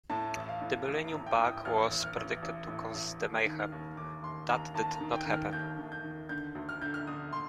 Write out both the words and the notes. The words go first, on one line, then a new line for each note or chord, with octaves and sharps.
The millennium bug was predicted to cause the mayhem. That did not happen.
A2 A5
A1
F5
A2
A1
A#5
A2
G5
A2
D#6
A1 F6
A1
F6
A1
A1
A2
A1
D#2
D#3
F6
D#2
D#2 D6
D#2 C6
D#2 A#5
D#2 A5
A#5
D#3
G5
D#3
F6
D#2 G6
D#3
G6
D#3
D3 G6
D2
F6
D3 G6
F6
D3 D#6
C6